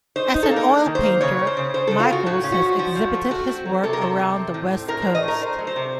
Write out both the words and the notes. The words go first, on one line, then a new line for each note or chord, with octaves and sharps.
As an oil painter, Michaels has exhibited his work around the West Coast.
D#4 C5
D#4
A4
A#3
A#4
A#3
D#3
C5
A#3
C#3 C#5
C#3
C5
C#3
C#3 C5
C#3 A4
F4
C#3 F#4
A2 F#4
C#4 F4
F#4
F3
F3 F#4
F3
A3
A3 F#4
C4
F#3
C3 A4
A#4
C3 A4
C3
C4
A2
C4
A2 A#4
A2 C5
D#5
A3
A#4
A3 C5
F#3
C5
C3